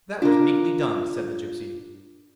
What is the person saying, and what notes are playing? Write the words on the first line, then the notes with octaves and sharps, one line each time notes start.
'That was neatly done,' said the gypsy.
D4 F4 A#4